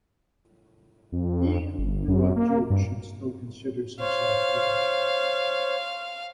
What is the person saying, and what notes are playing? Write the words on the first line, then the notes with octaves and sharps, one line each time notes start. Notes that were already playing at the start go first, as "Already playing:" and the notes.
Ian grew up Jewish and still considers himself Jewish.
F2
G1
F#2
A#3
G2
C5 C#5 F5